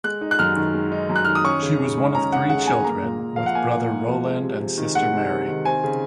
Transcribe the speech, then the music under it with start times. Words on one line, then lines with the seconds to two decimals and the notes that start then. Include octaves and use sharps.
She was one of three children with brother Roland and sister Mary.
0.04 G#3 F#6
0.21 D#4
0.31 F#6
0.39 F#2 F6
0.56 D#3
0.74 G#3
0.92 D#4
1.09 F#2
1.16 F#6
1.25 D#3 F6
1.35 D#6
1.44 C#4 C#6
1.62 C#3
1.79 C#3
1.97 G#3
2.15 C#4 A#5
2.32 C#3 F#5
2.49 C#3 F#5
2.67 G#3 G#5
2.84 A#3 A#5
3.03 A#2
3.19 A#2
3.36 F3 F5
3.46 F#5
3.55 A#3 G#5
3.73 A#2
3.90 A#2
4.08 F3
4.25 G#3
4.43 C3
4.60 C3
4.78 D#3
4.95 G#3 F#5
5.13 C3
5.30 C3
5.48 D#3
5.65 C4 G#5
5.84 C#3